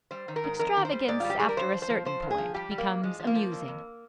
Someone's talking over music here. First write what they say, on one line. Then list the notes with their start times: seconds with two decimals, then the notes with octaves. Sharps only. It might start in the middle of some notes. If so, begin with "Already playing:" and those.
Extravagance after a certain point becomes amusing.
0.11 G3 C5
0.28 D#3
0.36 A#4
0.44 G#2
0.59 F2 A#4
0.77 D#3
0.85 C5
0.92 G3
1.08 G#2 D5
1.20 F4
1.24 G3
1.30 G4
1.39 G3 G#4
1.49 A#4
1.57 G2 C5
1.73 F3
1.82 C5
1.90 F3
2.05 F3 C5
2.22 G2
2.31 G#4
2.38 F3
2.54 G3 G4
2.71 G3
2.78 A#3
2.86 G#2
3.03 F3 G#3
3.20 F3
3.27 A#3
3.35 F3
3.52 F2
3.68 F2